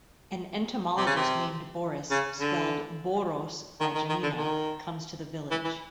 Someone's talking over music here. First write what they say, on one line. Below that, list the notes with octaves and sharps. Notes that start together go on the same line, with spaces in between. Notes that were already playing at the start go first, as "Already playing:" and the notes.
An entomologist named Borys–spelled "Boros" by Janina–comes to the village.
C3
C#3
C3
C#3
D3
D#3
D#3
D#3
D3
D#3
E3
E3